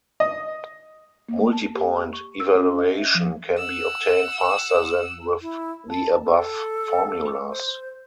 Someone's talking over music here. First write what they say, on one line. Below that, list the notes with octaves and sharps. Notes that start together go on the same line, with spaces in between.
Multipoint evaluation can be obtained faster than with the above formulas.
D#5
A#3
A5
G4
C#6
E6
C#4
D#5
E5
F3
F#5 E6
E4
A5
A4
C5